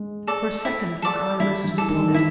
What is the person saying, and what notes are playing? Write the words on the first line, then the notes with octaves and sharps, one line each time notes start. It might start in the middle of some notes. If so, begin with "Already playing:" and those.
For a second my eye rested upon it.
Already playing: G#3
A4 D5
E4
A4 D5
G3 E4
G3
E3 A4 D5
D#3
D#3
E3 E4